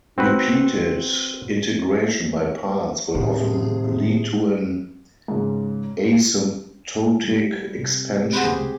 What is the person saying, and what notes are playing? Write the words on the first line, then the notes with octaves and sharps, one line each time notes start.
Repeated integration by parts will often lead to an asymptotic expansion.
C4 F#4 B4
D#1 D#2 A2 C3 G#4
G#2 C#3
G3
C3
C4 G#4 B4 C5 F#5
G4